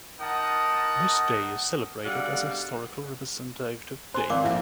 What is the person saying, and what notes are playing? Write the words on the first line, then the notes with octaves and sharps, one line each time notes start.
This day is celebrated as a historical representative day.
D#4 A#4 F#5 A5 D#6
B2 D3 G3 G#3 F5 F#5
C5 G#5 C6
G#1 C4 A#4 D5 F5 D6
A#1 F2 E4